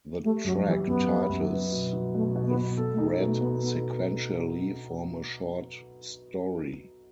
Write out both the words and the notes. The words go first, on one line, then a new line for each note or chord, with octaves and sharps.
The track titles, if read sequentially, form a short story.
G3 A3
F#2 F#3
E3 G3
F#2 B3
G3
F#2
B3
B2
F#3
B2 A3
B2
B3
B2
B3 A4
A3
D#4
B2 A3
B2 B3
B3 A4